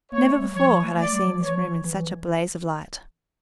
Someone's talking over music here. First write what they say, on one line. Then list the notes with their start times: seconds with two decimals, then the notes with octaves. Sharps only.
Never before had I seen this room in such a blaze of light.
0.12 A#3 C#5
0.26 A3
0.40 G3
0.55 F3 C#5
0.70 F3
0.84 A3
0.98 A3 D5
1.12 G3
1.26 F3
1.40 E3 C#5
1.54 F3
1.84 E3
1.98 E3